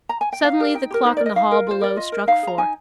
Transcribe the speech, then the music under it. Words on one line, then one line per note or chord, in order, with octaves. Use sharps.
Suddenly the clock in the hall below struck four.
A#5
G#5
G5
D#4 F5
G4 A#4
D#4 G5
G4 A#4
D#4 C5
A#4 D5
D#5
D#4 F5
A#4
F4 C5
A#4 D5
F4 D#5
A#4
D#4 F5
G#4 A#5
D#4 G#5